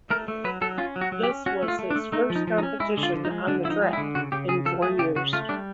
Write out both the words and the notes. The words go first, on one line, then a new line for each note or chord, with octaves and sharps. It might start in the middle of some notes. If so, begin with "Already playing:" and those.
This was his first competition on the track in four years.
A3 A#4
A3
F#3 B4
F#3 A4
C#4 F4
F#3
F#4
F#3
G4
C#4
C#4 F#4
A3
F4
A3
D4
A3
A3 D#4
F3
D#4
F3
D#4
C#4
G#3 E4
D3
F4
F3
D#4
G#3
D3 D4
F3 E4
D#4
G#3
E4
D3
C#3 F#4
C#3 G4
C#3 G#4
F3 A4
A3 G#4
C#3 G4
C#3 F#4
A3 F4
G3 D4